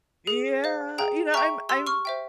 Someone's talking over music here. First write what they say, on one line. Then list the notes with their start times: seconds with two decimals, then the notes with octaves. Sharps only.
Yeah, you know, I'm I'm
0.27 G#4
0.64 C5 F5
0.98 G#4 G5 A#5
1.34 E5 G5 A#5 C#6
1.69 G4 C6 E6
1.87 C#6 F6
2.05 C5 E5 G5